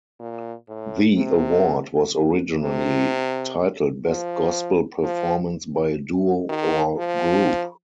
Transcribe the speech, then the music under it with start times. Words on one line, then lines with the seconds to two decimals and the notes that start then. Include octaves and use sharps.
The award was originally titled Best Gospel Performance by a Duo or Group.
0.20 A#2
0.69 A2
1.17 C3
2.62 C3
4.07 F3
5.03 F3
6.49 D#3
6.97 F3